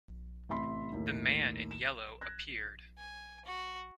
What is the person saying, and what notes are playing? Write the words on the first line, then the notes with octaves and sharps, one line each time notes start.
The man in yellow appeared.
A1 C3 E5 B5 C6 B6
D#2 A2 D#3
E7
F#6 G#6 A#6
G#5
F#4